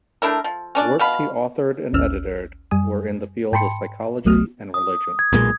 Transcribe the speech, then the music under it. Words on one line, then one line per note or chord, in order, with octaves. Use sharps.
Works he authored and edited were in the field of psychology and religion.
A3 D4 E4 A#4
F3
C#4 D4 D5
B2 F5 B5
G#1 D2 C#4 E6 F6
F#2 G3 G#5 D#6
G#2 G5 A5 B5 C6 C#7
G1 C#2 F#3 A3 D#6 F6
D#6
G#6
B1 A#2 G#3